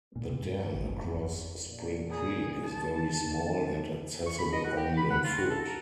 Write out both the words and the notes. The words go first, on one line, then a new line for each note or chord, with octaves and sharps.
The dam across Spring Creek is very small and accessible only on foot.
A#2
C3
G2
A1
F#1
F2
F2
A#2
G#4
D#3 A5
C#6
B5
D#5
F#4
G4
B5
F#5
F4
F#4
A4
A#4